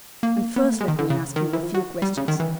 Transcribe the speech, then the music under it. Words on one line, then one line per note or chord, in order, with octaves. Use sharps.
And first let me ask you a few questions.
A#3
B3
A#3
A3
G#3
D#3
D3
C#3
D#3
E3
F3
F#3
G3
C#3
D#3
E3